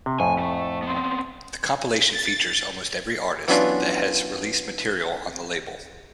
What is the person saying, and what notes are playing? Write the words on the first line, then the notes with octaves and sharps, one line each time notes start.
The compilation features almost every artist that has released material on the label.
C3
F2 A2 G#5
A3
B3 C4
A6
E3 F#3 B3 C#4 D4 F4